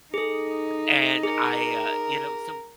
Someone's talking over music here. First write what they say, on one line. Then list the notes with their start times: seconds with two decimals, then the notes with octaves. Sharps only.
and I, uh, you know, so
0.14 D#4 G#4 A4
1.23 G#4 A#4